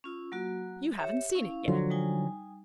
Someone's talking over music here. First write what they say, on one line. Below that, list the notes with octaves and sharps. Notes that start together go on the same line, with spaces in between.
You haven't seen it yet.
C#4 F4 E6
F#3 A#3 F#4
G4 C#5 E5
C#4 E4 F5
D3 F3 F#3 C6
G3 D#4 G#5